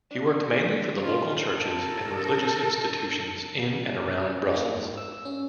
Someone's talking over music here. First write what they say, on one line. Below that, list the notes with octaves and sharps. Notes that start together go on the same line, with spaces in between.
He worked mainly for the local churches and religious institutions in and around Brussels.
D4
F4 D#5 A#5
A4 A#4
C#4
A#3
G#2
E6
C#4